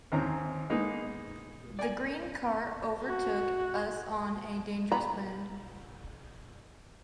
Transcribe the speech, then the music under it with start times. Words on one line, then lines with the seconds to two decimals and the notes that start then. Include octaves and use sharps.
The green car overtook us on a dangerous bend.
0.12 G#1 D#2 C4 C#4 A#5
0.70 G#3 A#3 B3 D#4 G#4
1.79 D5 G#5
3.05 F#4
4.92 A#5 B5